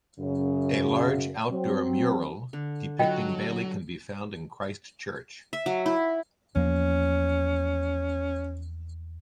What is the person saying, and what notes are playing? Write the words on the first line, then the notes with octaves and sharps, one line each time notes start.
A large outdoor mural depicting Bailey can be found in Christchurch.
F#2 C#3
F#3 C4
D3
F#3 F4 F#4 A4 D#5 G5
E5
F#3
E4
E2 F3 A#3 C#4